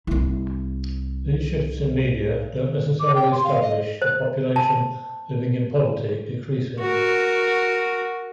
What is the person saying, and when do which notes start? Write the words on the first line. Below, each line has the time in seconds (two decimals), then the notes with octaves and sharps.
These shifts in media don't necessarily establish the population living in poverty decreasing.
0.07 C2 E4
3.00 D6
3.15 G5
3.32 C6
3.44 F5
3.61 D#5
4.02 C5
4.56 A5
6.80 F#4 A#4